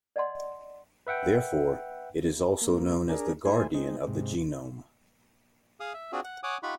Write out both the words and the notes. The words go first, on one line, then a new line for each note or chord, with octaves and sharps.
Therefore, it is also known as the guardian of the genome.
D5 D#5 F#5 A5 C6
B4 E5 F#5 G5
A#3
D4 G#4 A#4
A3 E4 C5 G#5
G#3 C4 D#4
G#2 C3
G#4 F5 D#6
E5
C4 D4 F4 F#4 G#4
F#5
C#5 F#5 G#5 D6 D#6
D#4 F4 G4 F#5 B5 C#6